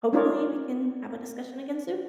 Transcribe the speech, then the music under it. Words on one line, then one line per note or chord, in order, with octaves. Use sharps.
hopefully we can have a discussion again soon.
C#4 D#4 F4 A#4 C#5 D5